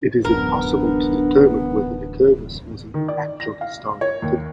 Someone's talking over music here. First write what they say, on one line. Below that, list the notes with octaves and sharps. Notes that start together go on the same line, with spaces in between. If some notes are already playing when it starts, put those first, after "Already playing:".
It is impossible to determine whether Lycurgus was an actual historical figure.
D1 A1 F#2 B3 D4 A#4
D#3
D5
A#6
F5
C#5
D#2